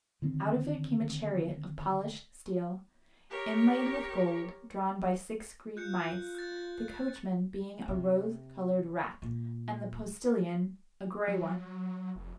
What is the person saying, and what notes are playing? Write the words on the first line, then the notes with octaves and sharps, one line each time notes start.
Out of it came a chariot of polished steel, inlaid with gold, drawn by six green mice, the coachman being a rose-coloured rat, and the postilion a grey one.
D3 D#3 C4 C#4
G4 A#4 C#5
F4 F#6 G6 C#7
F#6 G6 A6
C3
A#2
F#3
F1